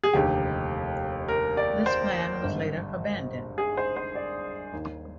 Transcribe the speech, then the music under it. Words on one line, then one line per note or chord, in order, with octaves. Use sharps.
This plan was later abandoned.
G#4
F1 D#2 D3 G4
A#4
D5
C5
G#1 G2 D3
G#4
C5
C5
D5
D#2 D#3